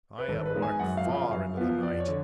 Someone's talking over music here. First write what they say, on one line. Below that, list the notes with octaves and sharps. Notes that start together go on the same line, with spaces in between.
I have worked far into the night.
B4
G#1 A4
B4
G#2 G#3
G#5
F#2 F#5
F5
C#3 F3
F5
F#2 F5
F3 B3
F2 D5
C#5
D3